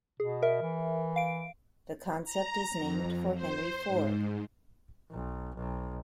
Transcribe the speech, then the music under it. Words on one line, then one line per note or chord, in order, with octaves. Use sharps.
The concept is named for Henry Ford.
B2 G#4
A#4 E5
E3
F5 D7
A#5
F2
C5
G#2
B1
B1